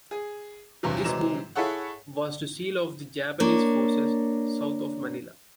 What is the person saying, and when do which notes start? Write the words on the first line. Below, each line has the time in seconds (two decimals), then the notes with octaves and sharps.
This move was to seal off the Japanese forces south of Manila.
0.11 G#4
0.83 E2 G2 C3 F#3
1.04 C3 E3 F#3 G#3 A#5 E7
1.56 E4 G#4 A4 C#5 F#5
3.40 A#3 D4 C#5